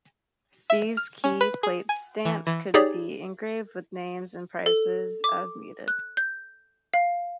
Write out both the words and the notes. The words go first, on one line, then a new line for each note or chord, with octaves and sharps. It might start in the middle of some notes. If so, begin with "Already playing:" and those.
These "key plate stamps" could be engraved with names and prices as needed.
E5
F6
C#4
B4
G#4
G#5
E3
E3
D#4 G4 G#4 C#5 D5
A4
D6
F#6
G6
F5